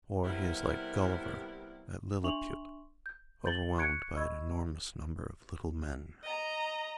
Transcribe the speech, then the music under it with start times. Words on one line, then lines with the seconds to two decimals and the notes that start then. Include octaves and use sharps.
Or he is like Gulliver at Lilliput, overwhelmed by an enormous number of little men.
0.24 C3 G3 A#3 B3 E4 A#4
2.24 D4 E5 C6 C#6 F7 F#7
3.06 G6
3.46 G6 A6 F#7 G7
3.78 C#6 F#6 G#6 C#7 D7
4.16 D#5 B5 C#6 E6 G#6
6.23 D#5 A#5